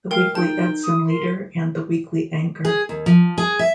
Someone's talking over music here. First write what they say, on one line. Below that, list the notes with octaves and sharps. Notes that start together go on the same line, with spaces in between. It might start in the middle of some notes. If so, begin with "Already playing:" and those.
The weekly "Edson Leader" and "The Weekly Anchor".
G#3 A#4 F5 G5
D#4 G5 A5
D#6
A#4 C6
G#4
D#2
F3
G#4
E5